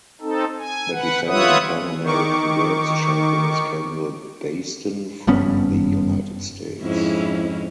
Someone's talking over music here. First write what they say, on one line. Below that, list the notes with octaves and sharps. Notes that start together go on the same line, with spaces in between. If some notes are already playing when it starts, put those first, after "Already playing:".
The defending Pan American Games champion is Kendall Baisden from the United States.
C4 D#4 A4
G#5
B4 F#5
F4 B4 C#5 E5 F#5 D#6
D#3 C#6 D6
F#1 G2 B3 C#4
F2 G#2 C#4 E4